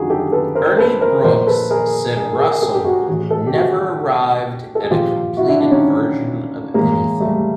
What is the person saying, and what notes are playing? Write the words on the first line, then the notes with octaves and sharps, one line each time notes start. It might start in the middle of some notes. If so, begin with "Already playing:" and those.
Ernie Brooks said Russell never arrived at a completed version of anything.
Already playing: F#2 D3 F3 D4 D#4 F4 F#4 G#4
G4 A4
A4 B4
A#4 C5
A4 B4
A#4 C5
A#2 F3 A#4 C5
A4 B4
G#4 A#4
G#4 A#4
G#4 A#4
G4 A4
G4
F#4 G#4
A2 E3 F#4 G#4
G4 A4
G4
F#4 G#4
A4
G#4
A#2 F3 F4 G4
E4 F#4
D4 E4
D4 E4
C#4 D#4
A2 E3 G#3 A#3
G3 A3